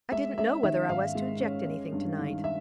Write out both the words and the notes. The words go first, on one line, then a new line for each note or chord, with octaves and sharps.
I didn't know whether I was to inject anything to-night.
G#3 E5
C#4 E5
D#3 E5
G#2 F5
G#3
C#4
G#3
G2
D#3
E5